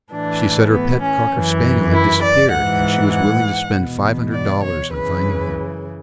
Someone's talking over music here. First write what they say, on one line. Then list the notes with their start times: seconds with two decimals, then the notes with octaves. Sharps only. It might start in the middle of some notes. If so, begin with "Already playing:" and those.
"She said her pet cocker-spaniel had disappeared and she was willing to spend five hundred dollars on finding him."
0.12 A2 E3 D4
0.72 B3
1.02 C#4
1.32 F#2 E3
1.92 E4
2.22 D5
2.52 G#2 E3 F#5
3.12 F#5
3.73 E2 B2
4.31 D5
4.62 C#5
4.92 F#2 C#3 E3 B4